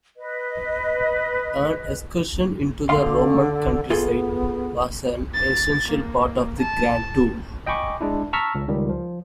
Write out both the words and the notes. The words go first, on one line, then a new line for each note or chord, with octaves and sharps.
An excursion into the Roman countryside was an essential part of the Grand Tour.
B4 D#5
D3 F5 C6
B3 F4 G#4 A4
A6
A#3
A5
D#5 G5 G#5 B5 C#6 D6
G#3 D4 E4
A5 A#5 C#6 E6 F6 B6
C#2
C#2 D#3 G3
F3